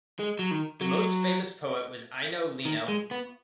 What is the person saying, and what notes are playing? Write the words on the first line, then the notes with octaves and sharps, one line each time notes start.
The most famous poet was Eino Leino.
G#3
F#3
D#3
F#3
D#3
G#3
B3